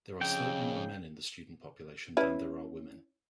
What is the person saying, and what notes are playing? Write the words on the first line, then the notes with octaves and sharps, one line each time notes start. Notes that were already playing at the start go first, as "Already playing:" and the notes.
There are slightly more men in the student population than there are women.
F2 C#3 G5
C#4 E4 B4